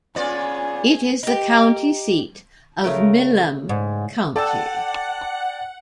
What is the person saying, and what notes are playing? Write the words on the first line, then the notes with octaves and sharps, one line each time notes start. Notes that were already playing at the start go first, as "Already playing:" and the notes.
It is the county seat of Milam County.
B3 C#4 F4 G#4 D5
D#4 G4
C#3 A3 A#4
G#2
A4 D5 F#5 G5 A5